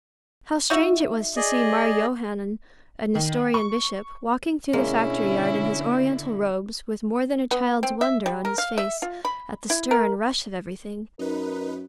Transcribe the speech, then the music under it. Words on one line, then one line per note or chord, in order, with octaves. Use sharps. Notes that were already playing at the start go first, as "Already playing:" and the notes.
How strange it was to see Mar Yohannan, a Nestorian bishop, walking through the factory yard in his Oriental robes with more than a child's wonder on his face at the stir and rush of everything!
D#4 F#4 E5
G#4 D5 D#5
D#3
C#6
B2 D3 G#3 A#3 C#4 E4
B3
C4
E5
G3
A#4
F5
E5
F4
B5
E4
A#4
F#2 D#4 A#4 B4